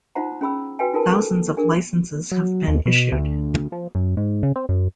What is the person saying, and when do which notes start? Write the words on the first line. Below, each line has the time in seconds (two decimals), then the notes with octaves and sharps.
Thousands of "licenses" have been issued.
0.15 D#4 F4 C5 F#5 A#5
0.41 C#4 G#4 B5 E6
0.79 F#4 B4 G5 G#5
0.93 D#4 F4 G#4 A#4 B4 A5
1.12 A4
1.57 D4 G#4 A#4
2.32 F#3
2.68 D#2
2.86 B2
3.12 D2
3.72 F3
3.95 F#2
4.17 G#2
4.43 C#3
4.56 C4
4.69 F#2